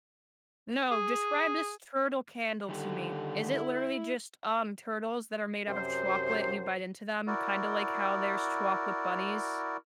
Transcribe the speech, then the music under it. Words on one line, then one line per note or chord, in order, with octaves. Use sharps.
No, describe this turtle candle to me. Is it literally just, um, turtles that are made out of chocolate and you bite into them, kinda like how there's chocolate bunnies?
G#4
D3 D#3 G3 G4
E4
F#2 C3 C5
E4 F#4 A#4 D5